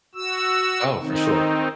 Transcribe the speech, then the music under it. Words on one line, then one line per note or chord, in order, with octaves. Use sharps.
Oh, for sure.
F#4 E6
D#3 C4 D#4